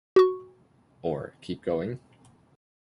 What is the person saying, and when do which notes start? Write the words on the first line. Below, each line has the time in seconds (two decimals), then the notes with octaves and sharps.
Or, keep going?
0.16 F#4 C#6